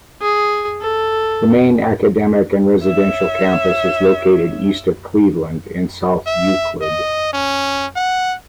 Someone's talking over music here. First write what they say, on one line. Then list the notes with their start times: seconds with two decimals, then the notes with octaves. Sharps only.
The main academic and residential campus is located east of Cleveland in South Euclid.
0.21 G#4
0.81 A4
2.84 C#5 E5
6.27 E5
6.81 D#5
7.33 C#4
7.96 F#5